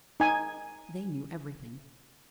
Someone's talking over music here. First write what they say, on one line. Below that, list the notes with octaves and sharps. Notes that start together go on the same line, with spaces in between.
They knew everything.
D#4 G#5